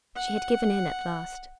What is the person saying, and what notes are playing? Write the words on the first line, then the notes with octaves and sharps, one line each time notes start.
She had given in at last.
F#5